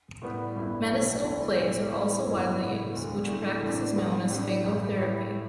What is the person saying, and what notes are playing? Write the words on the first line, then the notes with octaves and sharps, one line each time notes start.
Medicinal clays are also widely used, which practice is known as 'fangotherapy'.
A2 G3 B3
G1 G2 G3 E4
B1 B2 A3
E1 D2 D3 A3 E4
B1 A2 A3
A2 E3 A3 E4
G1 G2 G3 E4
A2 G3 B3
E1 D2 D3
A2 A3 D4
A1 A2 A3 D4
A1 A2 G3 B3
A2 G3 D4 G4
A1 G2 G3
A2 A3 E4 G4